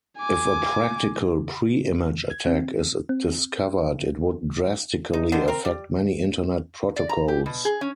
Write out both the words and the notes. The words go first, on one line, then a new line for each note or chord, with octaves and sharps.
If a practical preimage attack is discovered, it would drastically affect many Internet protocols.
G#5 D6
G#6
C4
C4
D#4
D3 D#3 C5
C4 A#4
G3
D5
A#5
G4
B2
G#4
C#4